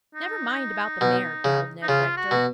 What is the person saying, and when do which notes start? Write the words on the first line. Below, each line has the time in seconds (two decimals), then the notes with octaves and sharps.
"Never mind about the mare," growled Ned Rector.
0.15 D#4
1.01 B2
1.44 C#3
1.82 D#4
1.88 C#3 F4
2.17 F#4
2.31 B2